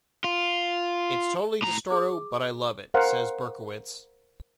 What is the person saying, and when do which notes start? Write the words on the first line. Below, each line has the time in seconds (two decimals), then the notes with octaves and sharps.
"It's totally distorto, but I love it," says Berkowitz.
0.24 F4
1.62 A2 A#5
1.90 G#4 D6
2.94 A#4 C5 F5 F#5 G#5